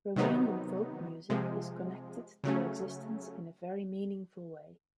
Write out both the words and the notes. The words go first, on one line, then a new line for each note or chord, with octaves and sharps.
Romanian folk music is connected to existence in a very meaningful way.
C3 D#3 F#3 B3 D#4
C3 F3 G#3
C#3 F#3 A3 C#4